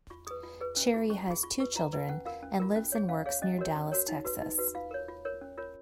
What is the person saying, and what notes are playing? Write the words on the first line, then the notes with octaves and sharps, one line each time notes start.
Cherry has two children and lives and works near Dallas, Texas.
F4 C#6
G#4 B4 D#6
F4
G#4 B4
C#4
F4 G#4
C#4 C#6
F4 G#4
F4 C#6
B4 C#6
F4 A#5
B4
C#4 F#5
F4 A#4 F5
C#4
F4 A#4
C#4
G#4 C#5
C#4 F5
G#4 C#5 F5
C#4 D#5
F#4 A#4 C#5
C#4
F#4 A#4 C#5
D#4
F#4 B4
D#4
F#4 B4
F4 F5
A#4 C#5
F4
A#4 C#5
C#4
F4 A#4 C#5